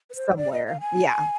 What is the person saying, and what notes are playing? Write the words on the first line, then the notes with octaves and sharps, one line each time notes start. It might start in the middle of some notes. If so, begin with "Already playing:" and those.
somewhere yeah,
B4
C5
D5
D#5
F5
G#5